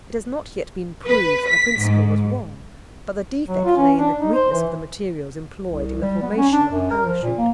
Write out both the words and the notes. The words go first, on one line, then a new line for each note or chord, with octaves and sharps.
It has not yet been proved that the principle was wrong, but the defect lay in the weakness of the materials employed in the formation of the Parachute.
B4
B6
G#2
F#3
F4
C#4
D4
D#4
C5
E3
C2
G3
B3
C#4
D4
F#2
A#4
F3
A#2
A#3